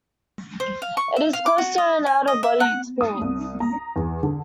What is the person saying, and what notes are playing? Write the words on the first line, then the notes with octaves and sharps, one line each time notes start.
It's close to an out-of-body experience.
C5
F5
C#6
E5
F5
D6
F#4
D#5
G#5
D#5
E5
F#5
D#6
C2
A#5
E2
D3